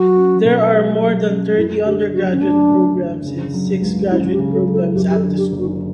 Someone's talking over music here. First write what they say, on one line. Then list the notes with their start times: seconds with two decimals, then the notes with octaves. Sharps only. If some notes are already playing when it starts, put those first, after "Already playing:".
There are more than thirty undergraduate programs and six graduate programs at the school.
Already playing: F#3 F#4
0.16 C#4
0.45 B2
0.72 G4
1.01 F#3
1.28 C#4
1.57 F#2 E4
1.85 D3 G4
2.13 F#1 F#4
2.32 C#4
2.41 A3 D4
2.70 F#2
2.97 D3
3.26 C#3
3.54 F#3
3.82 C#2
4.10 C#4 E4
4.32 G4
4.39 C#3
4.53 A4
4.66 F#3
4.74 A4
4.95 F#2 G4
5.08 G4
5.16 A4
5.23 D3
5.37 G4
5.52 F#1
5.58 F#4